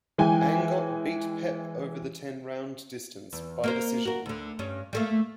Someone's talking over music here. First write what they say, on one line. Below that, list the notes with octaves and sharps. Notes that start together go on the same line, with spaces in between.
Angott beat Pep over the ten round distance, by decision.
E3 G#3 G5 G#5
E2
A#3 A#4 C5
F#4 A#4
D2 D3
G2 C#4
G3 A3 A#3